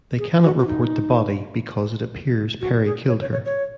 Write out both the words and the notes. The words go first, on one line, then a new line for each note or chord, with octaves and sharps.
They cannot report the body because it appears Perry killed her.
G#4
F#4
F#4
D#4
F#4
G#4
C#5
C#5
C#5
C#5